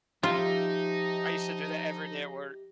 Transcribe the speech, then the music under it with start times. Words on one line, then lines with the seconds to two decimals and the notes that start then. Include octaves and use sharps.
I used to do that every day at work.
0.23 F3 D#4 F4 G4 E5